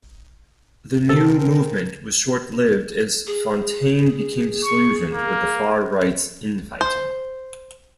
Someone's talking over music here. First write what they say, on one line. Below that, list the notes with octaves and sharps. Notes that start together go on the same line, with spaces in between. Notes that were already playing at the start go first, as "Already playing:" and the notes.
The new movement was short-lived as Fountaine became disillusioned with the far right's in-fighting.
G#2 C3 C4 A4 A#4
G#4
C#6
A#3
C5